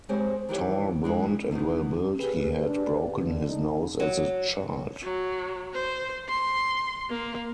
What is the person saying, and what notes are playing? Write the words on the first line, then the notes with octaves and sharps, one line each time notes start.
Tall, blonde and well-built, he had broken his nose as a child.
G#3 C4 G4 C5 C#5
D#3 E3 G4 C#5
E3 G#3 D4
E2 B2 D#3 E3 D#4
C#3 A#3 G4 G#4 B4
D4
D3
D3 D4 D#4
F#3
F#3
C5
C6
A#3